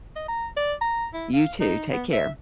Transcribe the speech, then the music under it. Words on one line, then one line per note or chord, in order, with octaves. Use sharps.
You too, take care.
D#5
A#5
D5
A#5
E4
F5
D#4
B3
E5